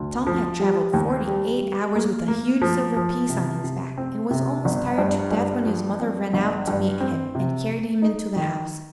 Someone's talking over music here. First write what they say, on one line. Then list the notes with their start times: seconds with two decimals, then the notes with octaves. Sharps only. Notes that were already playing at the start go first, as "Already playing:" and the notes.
Tom had traveled forty-eight hours with a huge silver-piece on his back, and was almost tired to death, when his mother ran out to meet him, and carried him into the house.
Already playing: D2
0.27 F3
0.60 G3
0.93 D#2
1.27 G3
1.61 G3
1.95 A#3
2.28 A#3
2.62 F3
2.96 F3
3.29 C3
3.64 C3
3.97 C4
4.31 C3
4.65 G1
4.98 G2
5.32 G2
5.66 F3
5.99 C4
6.33 G1
6.68 G2
7.00 C4
7.35 C3
7.69 A3
8.02 D#4
8.36 D#3